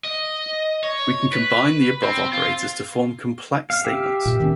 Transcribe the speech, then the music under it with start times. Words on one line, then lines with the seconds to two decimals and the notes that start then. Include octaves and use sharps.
We can combine the above operators to form complex statements.
0.04 D#5
0.83 C#5
1.33 B4
2.03 C4
2.33 F4
3.70 F5
3.84 G4 E5
4.26 A#2
4.39 D#3 C4 C#4